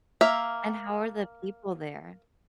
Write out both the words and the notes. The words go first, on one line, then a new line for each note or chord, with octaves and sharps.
And how are the people there?
A#3 E5 F5